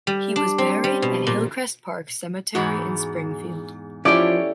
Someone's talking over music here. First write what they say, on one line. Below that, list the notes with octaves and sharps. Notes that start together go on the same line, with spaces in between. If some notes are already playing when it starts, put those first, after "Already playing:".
He was buried at Hillcrest Park Cemetery in Springfield.
G3
D4
C4
G3
B2
A#2
E2 G#2 F#4 B5
F3 C#4 E4 G4 A4 C#5 D5